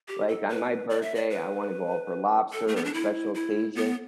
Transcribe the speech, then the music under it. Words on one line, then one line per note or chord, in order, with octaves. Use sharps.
Like, on my birthday, I wanna go out for lobster, or special occasion-
G4
A4
B4
D5
E5
D5
B4
A4
A3
B3
D4
E4
E4
B3